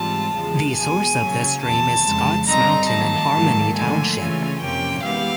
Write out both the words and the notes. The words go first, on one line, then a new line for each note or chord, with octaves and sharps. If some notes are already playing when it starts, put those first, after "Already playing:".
The source of the stream is Scotts Mountain in Harmony Township.
Already playing: G#2 E3 G3 C4 F4 A5
E2 C#3 F3 G#3
E2 B2 G#3 G#5
C#3 F#3 A#3 C#4
E2 C3 D#3 A5
F2 C#3 F3 G#3
G2 D3 G3 C4 D#4 A#5
D#3 F#3 A#3 A5
G#2 D#3 F#3 A#3
D3 F3 A3 G#5
C#3 E3 A3 C#4 F4 G#5
F2 C3 F3 A#3 C#4 G5
E3 G#3 B3 E4 G4 F5